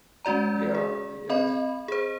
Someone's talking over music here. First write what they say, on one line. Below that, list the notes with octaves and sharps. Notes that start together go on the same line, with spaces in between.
Yeah, I guess.
G#3 C#4 F#4 D5 A#5
G#4
C4 D#5 B5
G#4 C5